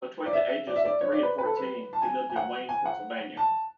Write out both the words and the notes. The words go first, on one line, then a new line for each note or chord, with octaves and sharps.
Between the ages of three and fourteen, he lived in Wayne, Pennsylvania.
D5
E5
D5
E5
D5
C#5
D5
B4
B4
A4
B4
A5
G#5
G#5
F#5
G#5
F#5
A5